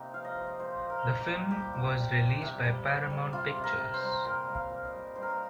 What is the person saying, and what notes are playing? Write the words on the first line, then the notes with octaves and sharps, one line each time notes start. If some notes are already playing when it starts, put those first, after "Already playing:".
The film was released by Paramount Pictures.
Already playing: C3 A#3 C4 D#4 G4
F3 F5
D#5
F3 C5
D#5
A#2 C5
A#2
A#4
A#2
G4
A#2
G3 G4
A#2
G3
A#2
C3
G3
G3
G3
C3 F4
C3
A#4
C3
C5
G3
A#2 A#4
G3
F5
A#2
D#5
G3
G3 C5
A#4
C5